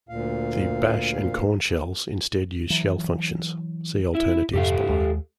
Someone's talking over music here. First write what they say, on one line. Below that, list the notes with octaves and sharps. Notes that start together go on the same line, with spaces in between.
The Bash and Korn shells instead use shell functions - see Alternatives below.
D2 A#2 F5
E3 F#3
E4
F2 G#2 C3 G4 A4 F5
D#2 G#3